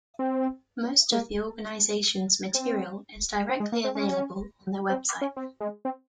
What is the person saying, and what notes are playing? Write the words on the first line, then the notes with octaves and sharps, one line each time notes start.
Most of the organization's material is directly available on their website.
C4
A#3
C4
C4
G#3
A#3
C4
C#4
C4
C#4
C4
G#3
C4